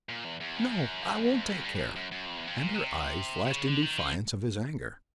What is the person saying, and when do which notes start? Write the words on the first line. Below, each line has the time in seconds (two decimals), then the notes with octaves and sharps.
"No, I won't take care!" and her eyes flashed in defiance of his anger.
0.09 A#2
0.25 E2
0.40 E2
0.56 F2
0.71 F#2
1.02 G2
1.13 F#2
1.24 E2
1.34 F2
1.43 E2
1.50 F2
1.64 G2
1.75 G2
1.80 F#2
1.96 F#2
2.12 F#2
2.26 F2
2.38 E2
2.47 F2
2.58 A#2
2.74 C3
3.45 C3
3.51 C#3
3.67 D3
3.83 D#3
3.98 F3